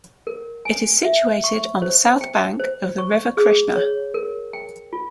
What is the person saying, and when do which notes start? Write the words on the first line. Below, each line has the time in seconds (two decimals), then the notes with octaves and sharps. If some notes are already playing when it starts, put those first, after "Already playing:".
It is situated on the south bank of the River Krishna.
0.27 A#4
0.65 G#5
1.05 E5
1.44 C#6
1.82 C5
2.21 G5
2.60 C5
2.98 C#6
3.37 G#4
3.76 C#5
4.14 A#4
4.53 G5
4.93 F4